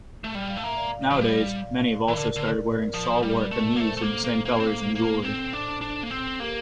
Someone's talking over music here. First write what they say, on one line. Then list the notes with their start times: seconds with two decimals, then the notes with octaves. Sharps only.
Nowadays many have also started wearing salwar kameez in the same colours and jewellery.
0.24 A3
0.34 G3 G5
0.49 F5
0.57 A3
0.63 A#3 E5
0.76 D5 F5
1.10 F3
1.21 G3
2.08 E3 A#4 D5
2.17 D3
2.36 D3
2.94 F3
3.23 G3
3.51 A3
3.76 A#3
3.80 A3 A4 C5
3.97 A3
4.02 A#3
4.24 A#3
4.45 A#3
4.60 C4
4.67 A#3
4.95 A#3
5.24 C4
5.53 D4
5.81 D4
6.03 A#3
6.11 C4
6.40 A#3 G4 A#4